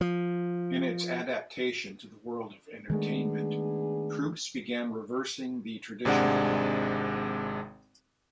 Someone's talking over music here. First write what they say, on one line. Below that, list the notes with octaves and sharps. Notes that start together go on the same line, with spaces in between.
In its adaptation to the world of entertainment, troupes began reversing the traditional order.
F3
D#3 G#3 A3 B3 D4 G#4
G#1 C3 G#3 D4 F#5